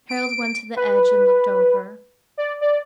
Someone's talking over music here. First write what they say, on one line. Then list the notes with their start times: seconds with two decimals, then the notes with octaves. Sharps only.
Harald went to the edge and looked over.
0.09 D7
0.76 B4
2.38 D5
2.61 D5